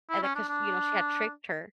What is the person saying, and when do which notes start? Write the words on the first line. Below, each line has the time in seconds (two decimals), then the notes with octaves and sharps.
and then 'cause, you know, she had tricked her.
0.10 E4
0.23 C#4
0.35 D4
0.49 D4